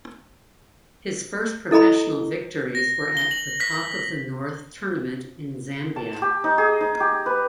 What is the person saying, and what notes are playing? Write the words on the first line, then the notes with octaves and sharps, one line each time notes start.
His first professional victories were at the Cock of the North tournament in Zambia.
E4 A4 D#5 A#5 B5
A#6
G7
F#7
B6
A5
G4
D#4
G#4
D#4
G4
B4